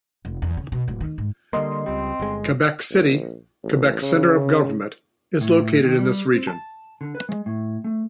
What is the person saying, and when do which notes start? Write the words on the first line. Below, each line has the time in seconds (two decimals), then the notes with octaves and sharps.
Quebec City, Quebec's centre of government, is located in this region.
0.25 F1
0.42 E2
0.57 C#3
0.72 B2
0.88 D1
1.01 D#3
1.18 G#2
1.53 D3 G3 A#3 D#5 C6
1.86 C#2 G3 C4
2.20 G1 G#3
2.91 A#1
3.64 A1
4.02 C#3
5.41 A2
5.84 D#3
5.99 G3
6.34 C4
6.47 A5
7.01 D3
7.15 B4
7.29 G#3
7.46 A2
7.84 A3